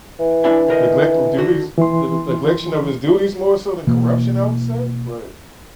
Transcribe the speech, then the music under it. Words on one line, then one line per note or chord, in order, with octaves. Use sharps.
Neglect of duties the the neglection of his duties more so than corruption, I would say? But
E3
D4 E4 G#5
D3 A#4 D#5
D3 F#4
E3 C6
B2 E3 A#3